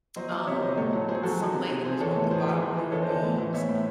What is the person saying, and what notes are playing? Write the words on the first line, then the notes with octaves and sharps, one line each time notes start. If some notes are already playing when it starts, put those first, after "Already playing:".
um, some lady was walking by with one of her dogs,
F#3 C5 D#5
F#3
C3 C#5 E5
F#3 C5 D#5
A2 A4 C#5
F#3
F#3 G#4 C5
F#3 F#4 A4
D#3
C3
C3 G#4
C3 G#4 C5
E3 A4 C#5
A2
E3 G#4 C5
E3
E3
E3
E3 A4 C#5
C5 D#5
E3
C5 D#5
A2
E3
A2 C#5 E5
A2